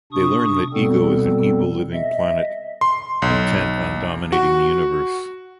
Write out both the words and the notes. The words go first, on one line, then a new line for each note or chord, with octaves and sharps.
They learn that Ego is an evil living planet intent on dominating the universe.
C3 D4 C#6 D#6
B2 G3 B3 C4 A4
D#5 E5
C6
B1
F#4